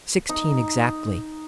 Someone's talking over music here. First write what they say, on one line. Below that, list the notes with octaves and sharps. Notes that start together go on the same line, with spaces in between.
"Sixteen, exactly."
D#4